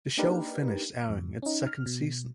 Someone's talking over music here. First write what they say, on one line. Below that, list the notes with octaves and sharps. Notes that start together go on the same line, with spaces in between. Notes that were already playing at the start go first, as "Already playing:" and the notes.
The show finished airing its second season.
A#3 D4 D#4 G4 A#4 B4
F2
C#4 D#4
F6
B2